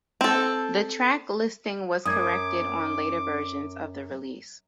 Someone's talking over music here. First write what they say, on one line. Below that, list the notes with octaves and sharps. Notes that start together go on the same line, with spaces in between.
The track listing was corrected on later versions of the release.
C4 A4
F#2 D6 D#6 G#6